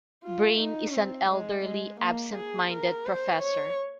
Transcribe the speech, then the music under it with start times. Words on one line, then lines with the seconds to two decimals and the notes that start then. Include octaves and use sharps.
Brain is an elderly absentminded professor.
0.24 F4
0.59 D#4
0.94 C4
1.30 G#3
1.65 G#3
2.01 A#3
2.35 G#4
2.71 A#4
3.06 C5
3.42 C#5